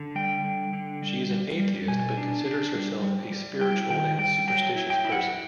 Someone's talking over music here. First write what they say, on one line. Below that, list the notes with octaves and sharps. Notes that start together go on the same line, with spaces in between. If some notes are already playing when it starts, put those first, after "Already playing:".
She is an atheist but considers herself a spiritual and superstitious person.
Already playing: D3
G3 G5
D3
D3
G3
G3
G3
B2 G#5
D4
D4
G3
G3
G3
E4 G5
D#3 G5
G3 G5
F#3 G5
E4
G5
E4
F#5